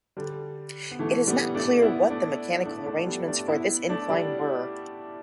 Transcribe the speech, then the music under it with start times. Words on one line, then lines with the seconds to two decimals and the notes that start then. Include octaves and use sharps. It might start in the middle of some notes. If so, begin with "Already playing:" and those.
It is not clear what the mechanical arrangements for this incline were.
0.17 D3 G3
0.91 B3
0.99 E3 A3
1.27 G3 B3
1.55 A3 D4
1.82 B3 E4
2.10 A3 D4
2.65 A3 D4
2.86 A3 D4
3.06 G3 B3
3.27 A3 D4
3.48 B3 E4
3.89 A3 D4
4.10 G3